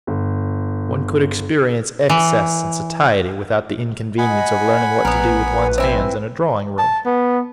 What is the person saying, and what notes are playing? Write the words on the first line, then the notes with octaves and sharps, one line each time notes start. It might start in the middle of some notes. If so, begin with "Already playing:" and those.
One could experience excess and satiety without the inconvenience of learning what to do with one's hands in a drawing-room!
G1
E3
D#5 F#5 G#5 B5
A#1 B3 A#4 B4
C4 E4 G#5
A5
B3